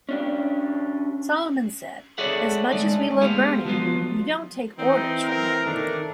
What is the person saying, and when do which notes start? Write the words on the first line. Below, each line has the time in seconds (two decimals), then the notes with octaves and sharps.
Solomon said, As much as we love Bernie, we don't take orders from him.
0.09 C#4 D4 G4
2.18 G#4 A4 C#5 D5 E5 F#5
2.72 G#3 A3 D#4 D5
3.21 G#3 B3 G4 F5
3.65 F3 F#3 B3 F4
4.79 E3 C4 D#4
5.23 A#4
5.66 D#3 A3 D4 D#4